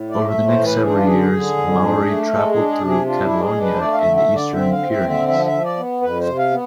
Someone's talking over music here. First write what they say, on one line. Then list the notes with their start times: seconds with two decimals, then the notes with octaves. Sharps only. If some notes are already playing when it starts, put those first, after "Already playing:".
Over the next several years Maury traveled through Catalonia and the eastern Pyrenees.
Already playing: A2
0.09 A3 D5
0.28 E5
0.34 A2
0.46 C5
0.59 E3
0.65 B4
0.83 D4 G#4
0.94 F4
1.05 D3 G#4
1.33 D3
1.57 F2
1.82 D4
2.07 A3
2.31 G#3 A4
2.50 G#4
2.56 D4
2.68 G#4
2.80 C3
2.86 G#4
3.06 D4 F4
3.24 E4
3.31 G#3
3.43 G#4
3.55 D4
3.61 B4
3.75 C5
3.79 A3 D5
3.93 F5
3.98 E5
4.04 D3
4.17 E5
4.29 D3
4.35 D5
4.53 C4 E5
4.71 F5
4.78 C4
4.91 E5
5.03 D3
5.09 E5
5.28 F3 E5
5.46 E5
5.52 F3
5.65 D5
5.77 B3
6.01 F2 B4
6.20 C5
6.26 C3
6.38 F5
6.51 B3